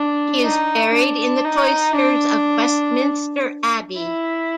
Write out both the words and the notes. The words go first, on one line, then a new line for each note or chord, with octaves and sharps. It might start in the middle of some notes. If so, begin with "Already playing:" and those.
He is buried in the cloisters of Westminster Abbey.
Already playing: D4
D#4
D4
D#4
D4
E4